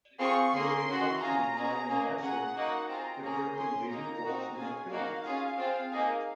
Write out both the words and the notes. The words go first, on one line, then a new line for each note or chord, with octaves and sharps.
Moin Khan and Nyla Masood appeared in leading roles in the film.
C4 F4 G#4 C#6
A#3 C#4 G#4 C6
C#4 F#4
C#4 F4 G#4 A#5
C#4 G#4
A#3 C#4 G#4
C#4 G#4 F#5
A#3 D#4 F#4
C4 F4 G#4 A#5
A#3 C#4 G#4 A#5
C#4 G#4 C6
A#3 D#4 G#4 A#5
C4 D#4 F#4
C#4 F4 G#4 G#5
A#3 D#4 F#4 F5
C#4 F4 G#4
C4 F4 G#4
A#3 D#4 G#4